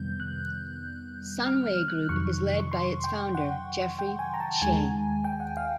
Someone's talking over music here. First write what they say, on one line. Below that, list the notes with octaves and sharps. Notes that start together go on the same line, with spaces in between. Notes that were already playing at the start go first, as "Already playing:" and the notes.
Sunway Group is led by its founder, Jeffrey Cheah.
Already playing: F2 C3 D#3 G3 B3 G6
F#6
F6
F#6
F2 C3 D#3 F#3 C#6
C#6
C6
G5
F#5
G5
G#5
A#5
A5
D#2 D#3 G#3 G#5
G5
F#5
F5